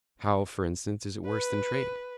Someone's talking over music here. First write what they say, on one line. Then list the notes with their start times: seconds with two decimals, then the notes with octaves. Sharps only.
How, for instance, is it worse than trade?
1.26 B4